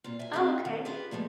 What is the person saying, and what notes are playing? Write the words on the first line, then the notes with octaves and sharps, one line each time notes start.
Oh, okay.
A#2 F4
E5 G#5
C4 C#4 D#4 F4 G4 G#4
D#3
E4 F4 G4 G#4 B4
A#2 F3 G#3 A3